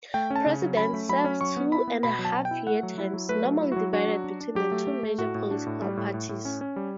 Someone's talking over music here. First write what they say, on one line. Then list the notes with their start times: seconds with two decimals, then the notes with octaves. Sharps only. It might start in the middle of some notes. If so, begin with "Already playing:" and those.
Presidents serve two-and-a-half-year terms, normally divided between the two major political parties.
0.14 A3 G5
0.30 C#4
0.36 A5
0.46 C#3
0.62 F#3
0.77 C#4 B5
0.93 A3
1.09 F#3 B5
1.24 C#4
1.41 F#3 C#6
1.57 B3
1.72 E4 B5
1.88 B3
2.03 B2 B5
2.19 F#3
2.25 A5
2.35 B2
2.45 G5
2.51 E4
2.67 A3 F#5
2.83 F#3
2.98 E4
3.14 F#3
3.29 A3 B4
3.45 F#3
3.61 E4
3.72 F#3 F#4
3.93 D4 F#4
4.09 F#3
4.24 D4
4.41 D4
4.55 F#3 G4
4.72 A3
4.87 A3
5.03 A3
5.18 A2 F#4
5.35 A2
5.51 D4
5.66 A2
5.82 G3
5.97 A2
6.14 A2
6.29 A2
6.45 C#4
6.61 C#4
6.76 G3